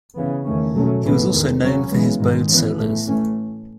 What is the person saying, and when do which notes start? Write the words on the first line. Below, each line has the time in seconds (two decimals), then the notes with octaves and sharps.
He was also known for his bowed solos.
0.16 C#3 E3 B3
0.45 E2 D#3 A3 C#4
0.74 B2 F#3 A3 C#4
1.03 A2 E3 G#3 B3
1.32 E2 D#3 G#3
1.62 C#3 F#3 C#4
1.89 C#3 E3 G#3 B3
2.19 G#2 D#3 G#3
2.48 C#3 E3 B3
2.77 A2 E3 A3
3.05 A2 E3 A3 C#4